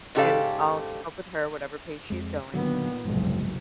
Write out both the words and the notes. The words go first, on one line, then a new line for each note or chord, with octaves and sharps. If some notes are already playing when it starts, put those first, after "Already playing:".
and I'll keep up with her, or whatever pace she's going.
G#2 C#3 G4 A4 D5 F5
F2 G#3
A#2 D3 D#3 F#3 B3
F#1 B1 G#2 C3 F3 G#3